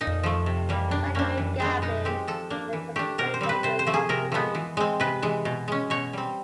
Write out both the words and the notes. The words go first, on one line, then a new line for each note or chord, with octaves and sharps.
It's like going gambling and then complaining that you've lost money.
A#2 D#4
F3 A3
C3
E3 G3 A#3
B2 D4
G3 A#3 C#4 D4
E3
G#3 B3 D4
B2 D#4
G#3 C4 G4
F3 A4
A#3 D4
E3
A3 D4 G4
B2 A#4
C5
G3 C4
B4
C3 C5
C5
F3 A3
G#4
C3 A#4
F3 G#3 B3
E3
G#3 C4
C3 B4
E3 G#3
B2
G#3 C#4
B2 C#5
G3 C4